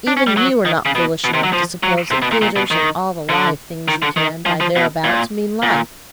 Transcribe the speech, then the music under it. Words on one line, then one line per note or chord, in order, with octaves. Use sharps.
Even you are not foolish enough to suppose that theatres and all the live things you can buy thereabouts mean Life.
D4
C#4
G3
F#3
D#3
C#3
B2
B2
C3
F#3
F3
F#3
C3
B2
A#2
A#2
B2
D#3
D3
D#3
D3
D#3
F3
F3
B2
A#2
A#2